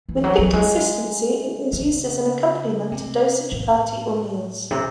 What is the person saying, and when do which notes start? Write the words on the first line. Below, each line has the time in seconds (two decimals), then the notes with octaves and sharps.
With thick consistency it is used as accompaniment to Dosa, Chapati or meals.
0.09 E3
0.24 F#3
0.38 F#3
0.53 G#3
1.73 C#3
2.92 C3
3.52 A2
4.71 C3